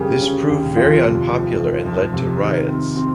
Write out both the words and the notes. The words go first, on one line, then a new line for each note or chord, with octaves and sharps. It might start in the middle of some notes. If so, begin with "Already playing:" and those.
This proved very unpopular, and led to riots.
Already playing: C#3 G3 C#4 G4 G#4 A#4
C#4
D#2
F2 F4
C3
F2
F2
F2
C3
D#3
C4
C4